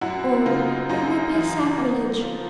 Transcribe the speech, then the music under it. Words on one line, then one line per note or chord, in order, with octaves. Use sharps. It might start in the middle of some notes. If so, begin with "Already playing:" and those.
Oh, it would be a sacrilege.
F#2 E4 F#4
C#3 D#4 F4
F#2 D#4 F4
E3
B3
F3